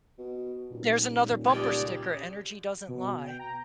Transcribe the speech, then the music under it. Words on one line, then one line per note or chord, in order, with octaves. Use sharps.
There's another bumper sticker. Energy doesn't lie.
B2
D#1 A#2
C#2 G4 D5 D#6 G#6
B2
G5
A#5